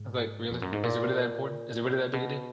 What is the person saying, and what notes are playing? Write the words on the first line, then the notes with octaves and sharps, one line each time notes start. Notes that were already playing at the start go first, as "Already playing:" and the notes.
I was like, really? Is it really that important? Is it really that big a deal?
Already playing: G#2
F2
F#2
G#2
A#2
B2